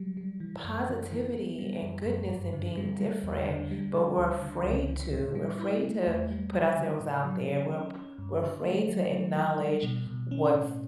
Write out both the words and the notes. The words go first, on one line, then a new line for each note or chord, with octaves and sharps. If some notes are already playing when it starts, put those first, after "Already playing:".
positivity and goodness in being different, but we're afraid to, we're afraid to put ourselves out there, we're p we're afraid to acknowledge what's
Already playing: F#3 G3
G3
E3
F#2
E3
E3
B3
G3
F#2
F#2
G2
D3
G3
G3
E2
D3
G3
D3
D2
D3
C#2
E3
A2
G3
E4
A3
E2
G3
G3
D3
A2
F#3
C#4
C#4
C#4
G2
D3
A3
F#3
F#3
E3
G3
B2
B2
C#4
A2